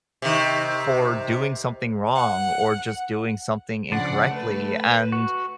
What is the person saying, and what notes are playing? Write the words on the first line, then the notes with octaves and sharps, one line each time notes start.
for doing something wrong or just doing something incorrectly and
C3 D#3
F#5
C#3 F3 D4 D5 F#5
A3 B4
F#4